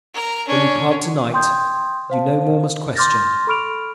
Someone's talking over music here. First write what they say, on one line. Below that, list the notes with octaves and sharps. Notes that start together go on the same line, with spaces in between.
When we part to-night, you no more must question.
A#4 A#5
C#4 D4
G5 C6 D#6 G6 G#6
C5 F5 A5
C6 D6 F6 G6 A6 A#6
A4 B5 C#6 F6 D7 F7